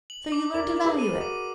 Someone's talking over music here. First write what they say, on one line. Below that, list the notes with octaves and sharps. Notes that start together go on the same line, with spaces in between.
So you learn to value it.
F#7
D6
A#4 D5 D6
D6
G#4 B4
D#7
F#4 A#4
D6